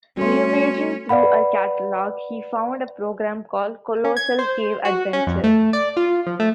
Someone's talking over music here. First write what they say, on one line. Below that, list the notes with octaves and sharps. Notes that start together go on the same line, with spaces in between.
Rummaging through a catalog, he found a program called "Colossal Cave Adventure".
G3 A3 C#4 F#4 A4 C6
B4 D5 F5 F#5 B5
C#4
G#6
C5
F#4
C#4
F2
A3
D5
F4
F3
A3